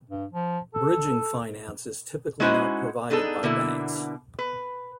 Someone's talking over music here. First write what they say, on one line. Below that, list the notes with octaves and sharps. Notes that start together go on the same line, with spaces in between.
Bridging finance is typically not provided by banks.
G2
F3
A4
G#3 C#4 D#4 E4 F#4 C5
B3 D4 D#4 G#4 A4
B2 D3 A#3 E4
B4